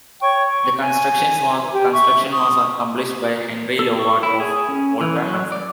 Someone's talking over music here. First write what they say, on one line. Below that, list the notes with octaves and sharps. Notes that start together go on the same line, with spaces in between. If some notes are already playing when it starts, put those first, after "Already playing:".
The construction was accomplished by Henry Lovatt of Wolverhampton.
C#5 G5 C#6
C#6
G#5
G4
E5 C#6
C#6 D#6
A4
C#6
E4
G#4
C#4
E3
F#3
D5